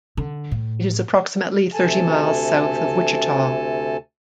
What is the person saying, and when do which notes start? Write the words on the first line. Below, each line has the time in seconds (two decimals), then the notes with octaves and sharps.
It is approximately thirty miles south of Wichita.
0.17 D3
0.51 A2
1.74 D2 C3 A4 G#5 A5